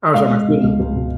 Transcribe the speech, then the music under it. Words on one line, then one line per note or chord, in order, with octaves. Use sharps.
I lose all my freedom,
G#3 F5
G#3
B2
C#2
C#2
B2